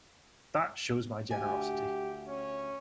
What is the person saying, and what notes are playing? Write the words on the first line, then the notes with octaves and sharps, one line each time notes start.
That shows my generosity.
D2 G4 G#5
C#4